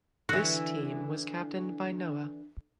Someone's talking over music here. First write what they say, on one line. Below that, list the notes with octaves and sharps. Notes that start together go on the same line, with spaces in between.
This team was captained by Noah.
D3 E3 F#4